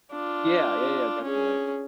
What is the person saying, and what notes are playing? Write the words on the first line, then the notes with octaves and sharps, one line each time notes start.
Yeah, yeah, yeah, definitely.
D4 F4
C#4 G#4